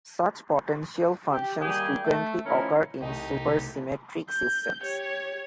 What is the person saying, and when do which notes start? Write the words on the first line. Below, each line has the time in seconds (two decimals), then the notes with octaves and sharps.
Such potential functions frequently occur in supersymmetric systems.
1.30 G4
1.61 D#3 G3 A#3 G4 G#4
2.03 A3
2.45 D#3 F3 A3 C#4 E4 A#4
3.01 C2 A3 D#4 G4 D#5 G5
4.29 G6
4.82 G4 C#5